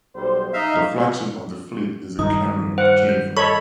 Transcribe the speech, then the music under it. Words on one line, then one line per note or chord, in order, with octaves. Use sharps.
The flagship of the fleet is the carrier "Cavour".
B1 G3 C5
D#4 E5 F5
G2 D#3 D#4 D#6
C5 F#5
G6
A4 C#5 D#5 B5 C#6